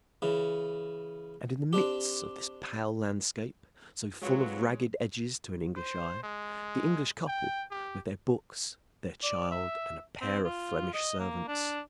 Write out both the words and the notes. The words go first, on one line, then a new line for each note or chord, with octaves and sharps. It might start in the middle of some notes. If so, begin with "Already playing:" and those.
And in the midst of this pale landscape, so full of ragged edges to an English eye, the English couple, with their books, their child, and a pair of Flemish servants.
C#3 E3
C4 D4 G4
C3 F#3 G#3 F4 B4 C#5
C5
G#3
G5
G4
D5
E5
C4
F4
D#5
A#3
D4